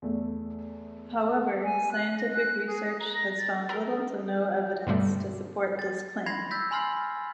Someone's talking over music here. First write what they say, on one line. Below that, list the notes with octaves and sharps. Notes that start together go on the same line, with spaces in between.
However, scientific research has found little to no evidence to support this claim.
E2 A3
G#5
F#6
A#6
F#6
G#4
A#5
A#6
A6
A#4
G2 B2 D3 G3 A3
A6
B5 C6 G#6 A#6 C7 F7
E6 G6 A6 B6
G#5 B5 C6 F6 A6 C7